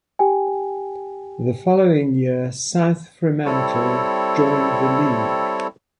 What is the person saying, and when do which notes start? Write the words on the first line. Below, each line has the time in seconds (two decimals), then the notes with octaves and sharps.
The following year South Fremantle joined the league.
0.19 G4 G5 G#5
3.45 G3 C4 E4 A4 C#5